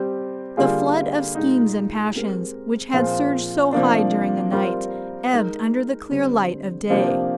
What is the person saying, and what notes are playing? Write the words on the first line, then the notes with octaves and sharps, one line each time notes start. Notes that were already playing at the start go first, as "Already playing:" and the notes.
The flood of schemes and passions, which had surged so high during the night, ebbed under the clear light of day.
Already playing: G3 C4 G4
D3 G3 A#3 F4 G#4
A#2 G#3 D#4
G#3 C4 G4 A#4
A#2 F3 C4 F4 G#4
C3 F3 A#3 D4
G3 C4 F4 A#4
G#3 D#4 A#4
D3 G3 C4
C3 F3 A#3 D4 G4